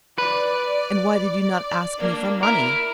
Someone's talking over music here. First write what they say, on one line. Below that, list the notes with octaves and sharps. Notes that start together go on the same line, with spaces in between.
"And why did you not ask me for money?"
B4 D5
A#3 D4
E4 A#4